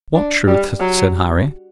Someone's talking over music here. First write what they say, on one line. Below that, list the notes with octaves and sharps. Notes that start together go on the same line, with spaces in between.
"What truth?" said Harry.
D4
G3
F#3